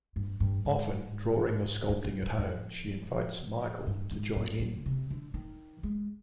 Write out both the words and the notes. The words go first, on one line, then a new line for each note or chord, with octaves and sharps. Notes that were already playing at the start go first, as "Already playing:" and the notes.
Often drawing or sculpting at home, she invites Michael to join in.
G2
G2
G#2
G2
F2
G2
F2
G2
G#2
A#2
A#2
D3
C3
D3
D#3
G#3